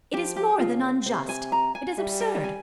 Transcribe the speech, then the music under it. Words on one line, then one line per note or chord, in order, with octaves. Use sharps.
It is more than unjust--it is absurd!
F3 G4
G4
C#3 F4
C3 C5
G#5
A#5
G#5
G3 E5
G5
G#5